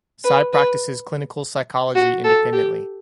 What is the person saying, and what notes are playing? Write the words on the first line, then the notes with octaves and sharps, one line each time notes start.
Tsai practices clinical psychology independently.
B4
B4
F#4
A4
G4